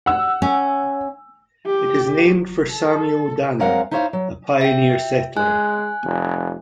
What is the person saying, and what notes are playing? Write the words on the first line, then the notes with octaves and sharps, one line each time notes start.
It is named for Samuel Dana, a pioneer settler.
F#5 E6
C#4
G4
F#3
A4
F#3 G#3 C4 A#4 F5 F#5
D#4 E4 C5 C#5 D#5 F5
F#3
E5 G5
G#3 G#5 F#6
F1